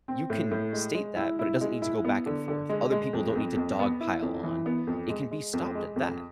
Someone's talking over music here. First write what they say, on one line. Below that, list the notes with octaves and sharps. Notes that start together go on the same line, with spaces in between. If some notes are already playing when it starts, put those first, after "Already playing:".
You can state that, but it doesn't need to go back and forth, other people don't need to dog pile on, it can be stopped at that.
C4
A2
A2
G#3
G#3
E4
E4
G#3
E4
B3
D3
D3
G#3
G#3
F2
F2
F2
B3
E4
F2
E3
B3
F2
G#3
G#3
F2
G#3
F2